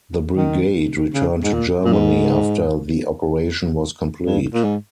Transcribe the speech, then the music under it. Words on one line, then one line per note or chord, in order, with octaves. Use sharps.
The brigade returned to Germany after the operation was complete.
D#3
C#3
G#2
A#2
A#2
G#2
G2
A#2
G#2